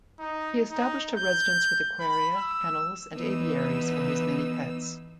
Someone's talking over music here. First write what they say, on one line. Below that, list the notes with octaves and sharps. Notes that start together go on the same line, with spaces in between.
He established a residence with aquaria, kennels, and aviaries for his many pets.
D#4
D#4
G6
B5
E6
E3 B3 D#4 E6